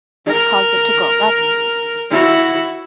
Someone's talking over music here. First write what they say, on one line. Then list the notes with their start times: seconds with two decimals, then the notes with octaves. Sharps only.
This caused it to grow rapidly.
0.27 A#4
2.10 E4 F#4